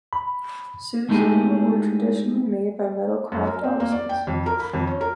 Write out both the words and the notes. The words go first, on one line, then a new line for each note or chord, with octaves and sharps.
"Suzu" were traditionally made by metal craft artisans.
B5
G#3 A3 D#4 E4 G4 G#4
F#2
A#4
C4
A#3
D5
G5
F2
A#4
B5
F2
C#4
A#4